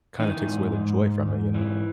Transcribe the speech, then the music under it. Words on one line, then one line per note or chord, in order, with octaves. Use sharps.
kinda takes away the joy from it, you know?
E3 D#4
G#2
G#2
G#2
G#2
E3